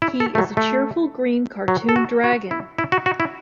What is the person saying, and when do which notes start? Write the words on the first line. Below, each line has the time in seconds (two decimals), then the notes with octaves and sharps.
He is a cheerful green cartoon dragon.
0.02 E4
0.20 A4
0.35 A3
0.38 F#3
0.57 A3
1.68 F#3
1.89 A4
1.96 F#4
2.24 F#4
2.51 E4
2.78 E4
2.92 F#4
3.06 F#4
3.20 E4